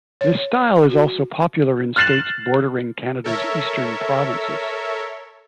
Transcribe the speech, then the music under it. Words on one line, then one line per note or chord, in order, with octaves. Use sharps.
This style is also popular in states bordering Canada's Eastern provinces.
C#5
F#4
F6 F#6 A6 C7 E7 F#7
A4 A#4 C#5 E5